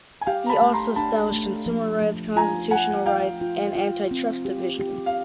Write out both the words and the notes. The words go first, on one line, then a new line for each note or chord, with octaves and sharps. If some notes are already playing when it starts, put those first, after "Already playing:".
He also established Consumer Rights, Constitutional Rights, and Antitrust divisions.
G#5
G4 F5 G5
A#5
A5 B5
A3
A#5 C6
D4 A5 B5
A3
F3
F3
F4 G#5 A#5
F3 F#5 G#5
F4 F5 G5
F4
F4
C4
G4
G4
F5